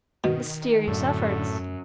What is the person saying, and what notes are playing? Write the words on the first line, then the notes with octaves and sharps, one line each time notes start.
Mysterious efforts!
B2 D#3
F#2 A2 D3